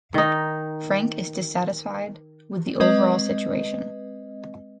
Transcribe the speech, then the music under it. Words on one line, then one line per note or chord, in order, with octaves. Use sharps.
Frank is dissatisfied with the overall situation.
D#3 D#4
G#3 C4 B4 D#5